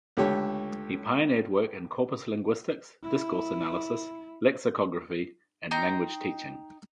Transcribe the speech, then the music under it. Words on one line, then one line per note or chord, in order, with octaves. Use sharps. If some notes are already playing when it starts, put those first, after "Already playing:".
He pioneered work in corpus linguistics, discourse analysis, lexicography, and language teaching.
C#2 D3 A3 G4 A4 C#5
E4
D#4 G5 A#5 C6